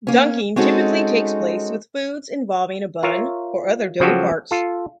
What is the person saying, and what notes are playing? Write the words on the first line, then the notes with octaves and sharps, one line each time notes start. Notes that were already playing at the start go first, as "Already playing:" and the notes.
Dunking typically takes place with foods involving a bun or other doughy parts.
A#3 C#4
G#3 C4 C#4 D#4 F#4 A4
F4 A#4 C#5 E5 F5
C#3 F3 F#3 F#4 G4 A4
F4 A4